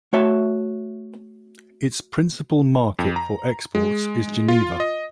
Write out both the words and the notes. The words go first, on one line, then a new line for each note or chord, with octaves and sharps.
Its principal market for exports is Geneva.
A3 F#4 C#5 E5 A5
F2
A#5
G#3
F4
D#5